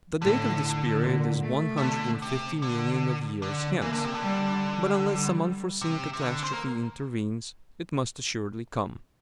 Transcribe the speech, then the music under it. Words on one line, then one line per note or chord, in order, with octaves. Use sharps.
The date of this period is one hundred and fifty millions of years hence, but unless some unforeseen catastrophe intervenes, it must assuredly come.
A2 D3
A#2
A3
C3
D3
C3
D3
D3
E3 A#3
D3
C3
D3
G3
G3
C3
C3
D3
C4
A#3